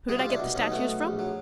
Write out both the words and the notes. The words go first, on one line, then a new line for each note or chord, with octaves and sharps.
Who did I get the statues from?
C2 F#4 G#4
F4 G4
C2
D4 E4
B2
B1 C#4 D#4
B1 A3 B3
B1
A#1
F#3